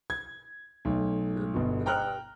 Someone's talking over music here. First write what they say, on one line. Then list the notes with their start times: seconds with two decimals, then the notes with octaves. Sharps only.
then the
0.10 G#6
0.85 B1 A3
1.54 G1 B2
1.86 G5 A#5 F6 F#6